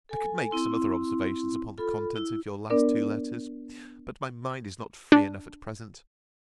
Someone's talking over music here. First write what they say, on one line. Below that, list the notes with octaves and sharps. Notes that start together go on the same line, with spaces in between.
I could make some other observations upon the contents of your last two letters; but my mind is not free enough at present.
A4 G#5
C4 E4 C6
F4 A4 B5
E4
B3 D4 A#4 D5
D4